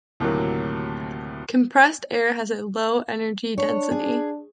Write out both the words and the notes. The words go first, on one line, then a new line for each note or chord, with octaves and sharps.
Compressed air has a low energy density.
D2 A2 C3 D#3 F#3 A#3
D4 C#5
G#4